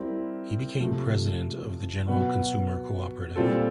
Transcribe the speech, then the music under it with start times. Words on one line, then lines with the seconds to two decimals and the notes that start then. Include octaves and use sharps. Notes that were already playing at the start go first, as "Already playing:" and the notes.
He became President of the General Consumer Cooperative.
Already playing: G3 C4 E4 A#4
0.80 C3 F3 A3
2.08 B2 F#3 B3
3.36 A#2 G3 C4 F4 A4